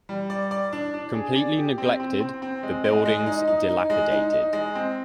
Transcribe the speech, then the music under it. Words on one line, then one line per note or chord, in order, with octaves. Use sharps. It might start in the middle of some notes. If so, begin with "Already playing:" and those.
Completely neglected, the buildings dilapidated.
G3
D5
D5
D4
D4
G#4
D5
G4
C4
C4
C4
C4
G#3
G#3
G#3
D#4
D#4
D#4
G#3
D#4
D#4
G#3
C4